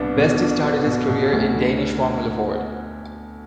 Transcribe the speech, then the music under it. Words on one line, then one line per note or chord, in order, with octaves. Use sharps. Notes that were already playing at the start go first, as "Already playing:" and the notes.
Vesti started his career in Danish Formula Ford.
Already playing: C2 B3 D4
B2
D4
B3
B2
B2
D2
D3